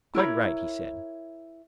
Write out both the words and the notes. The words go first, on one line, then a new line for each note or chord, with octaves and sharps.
Quite right, he said.
E4 A#4 C#5 B5